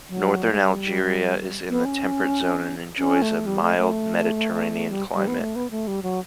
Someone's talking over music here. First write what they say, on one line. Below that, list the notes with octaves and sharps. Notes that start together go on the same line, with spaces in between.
Northern Algeria is in the temperate zone and enjoys a mild, Mediterranean climate.
F#3
A3
G3
B3
C#4
C#4
A3
G3
A3
A3
G3
G3
B3
A3
B3
A3
G3
F#3